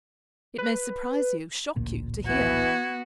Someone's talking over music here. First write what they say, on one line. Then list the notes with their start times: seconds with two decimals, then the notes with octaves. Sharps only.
It may surprise you, shock you to hear.
0.58 B4
1.76 A1 D2 A#2
2.26 E3 B3 F#4 G#6